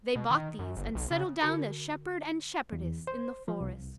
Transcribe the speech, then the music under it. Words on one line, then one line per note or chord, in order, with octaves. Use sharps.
They bought these and settled down as shepherd and shepherdess in the forest.
B2
D#3
F#2
G1
B1
C#3
D3 F#4 A#4 B5
E2
C5
F3
C2